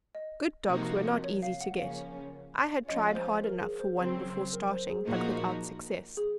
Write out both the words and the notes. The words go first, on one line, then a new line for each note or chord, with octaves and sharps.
Good dogs were not easy to get; I had tried hard enough for one before starting, but without success.
D#5
C3 F3 A#3 D#4 F#4
C#5
F5
F#5
C#3 F3 A#3 C#4 F5
F3 G#3 C#4 F4 D#5
C5
A#4
G#4
C5
C#3 F#3 C4 C5
A#4
C5
G#4
A#2 F3 A#3 D#4 F#4 A#4
G#4